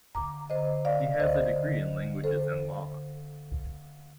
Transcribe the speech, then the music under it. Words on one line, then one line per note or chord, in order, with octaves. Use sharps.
He has a degree in Languages and Law.
D3 A#5 D6
D3 C5 D#5
D3 D5 F5
D5
D2 C5 D#5
D3
D3
D3 A4 C5